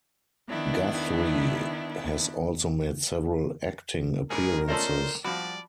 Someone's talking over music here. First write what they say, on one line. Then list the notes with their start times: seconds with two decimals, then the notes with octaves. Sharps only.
Guthrie has also made several acting appearances.
0.48 D#3 B3 D4 E4
4.30 G#2 G3 C#4 G#4 A#4
4.68 A3 C#4 F4 A4 C5 D5 D#5
5.24 F3 G3 F#4 D5